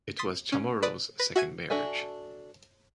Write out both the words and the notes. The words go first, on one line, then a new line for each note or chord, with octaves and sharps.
It was Chamorro’s second marriage.
C6 D#6 A6 B6
C#4
B4 D5 D#6
B4 A#6 B6
F#4 E5 G#5 G#6 D#7
D4 F#4 A4 E5 G#5